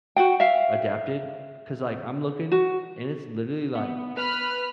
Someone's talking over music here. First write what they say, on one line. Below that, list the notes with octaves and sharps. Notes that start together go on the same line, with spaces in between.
adapted 'cause, like, I'm looking and it's literally, like
F#4 F#5 G5
E5 F5
F#4
B3
B4 B5 F6